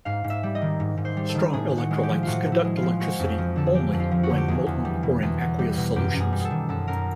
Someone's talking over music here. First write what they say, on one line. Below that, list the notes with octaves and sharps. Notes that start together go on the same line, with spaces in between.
Strong electrolytes conduct electricity "only" when molten or in aqueous solutions.
G#2 F5
G#2
E5
G3
D#5
D#3
G#2
G#2
C5
G3
A4
D#3
A2 G#4
A2
F#4
G#3 F#4
G4
F3
A2 F4 F#4
A2
E4
G#3
F4
F3
G#3 F#4
F2
F3
D3 A4
G#4
G#3 G4
F2
F4
F3
F#4
D3
G4
E2 G#4
E2
G3
B2
E2
E2
G3
B2
F#2 G4
F#2
G#4
G3
G#4 A4
D#3
F#2 A4
F#2 A#4